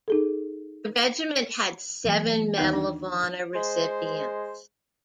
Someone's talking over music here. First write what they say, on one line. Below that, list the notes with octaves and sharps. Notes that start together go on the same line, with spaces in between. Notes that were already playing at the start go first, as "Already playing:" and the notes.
The regiment had seven Medal of Honor recipients.
D#4 G#4 A4
E3 F#3 A#3
D#2 B3 D#4 G5
D4
G#3 C5